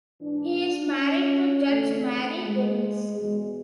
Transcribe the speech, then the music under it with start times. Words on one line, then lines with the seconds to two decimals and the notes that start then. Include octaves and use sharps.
He is married to Judge Mary Devins.
0.20 G#2 E3 D4
0.96 C#4
1.70 E2 D3 A3
2.44 G#3
3.18 E2 B2 G#3